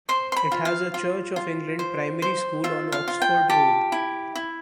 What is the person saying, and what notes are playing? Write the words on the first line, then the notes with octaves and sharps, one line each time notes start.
It has a Church of England primary school on Oxford Road.
C5 C6
C6
B5
F4
F5
F4
F4
C5
C5
F4 E5
F5
F4
G5
G4 A5
E4
E4